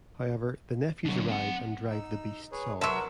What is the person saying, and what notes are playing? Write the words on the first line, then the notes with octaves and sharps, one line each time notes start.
However, the nephews arrive and drive the beasts off.
D3 F#3
C4 F#5
D#4 E6
G#4 B4 C#5
F#3 A#4 B4 E5 F#5 A5 C6 E6